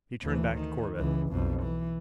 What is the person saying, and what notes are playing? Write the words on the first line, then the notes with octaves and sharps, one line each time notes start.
He turned back to Corbett.
D2 E3
D#3
C#2 E3
B1 F2
E3